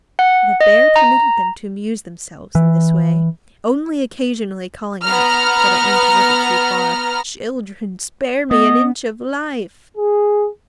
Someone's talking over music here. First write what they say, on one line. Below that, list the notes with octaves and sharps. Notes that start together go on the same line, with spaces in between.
The bear permitted them to amuse themselves in this way, only occasionally calling out, when it went a little too far, "Children, spare me an inch of life!"
F#5
D#5
A#5
E3
B3 A#5 F6
B3 D#5
G#4